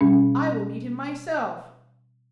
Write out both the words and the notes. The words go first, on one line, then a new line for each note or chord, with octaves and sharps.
"I will meet him myself!"
B2 G3 C#4